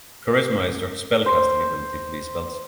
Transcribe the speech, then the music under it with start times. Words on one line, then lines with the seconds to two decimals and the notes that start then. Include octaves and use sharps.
Charisma is your spellcasting ability for these spells.
1.26 C5